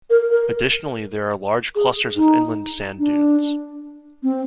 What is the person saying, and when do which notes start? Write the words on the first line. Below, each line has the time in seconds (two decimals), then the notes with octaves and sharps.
Additionally there are large clusters of inland sand dunes.
0.10 A#4
0.31 A#4
1.75 G#4
2.17 D#4
2.99 D4
4.23 C4